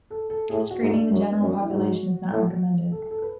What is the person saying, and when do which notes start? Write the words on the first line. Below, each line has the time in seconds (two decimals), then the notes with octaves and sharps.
Screening the general population is not recommended.
0.10 A4
0.30 A4
0.50 A2 G#4
0.70 F#4
0.81 G#2
0.90 D4
1.11 F#2 D4
1.31 B3
1.41 F#2 C#4
1.50 D4
1.61 E4
1.71 G#2 F#4
2.31 A2
2.92 A4
3.11 A4
3.22 B4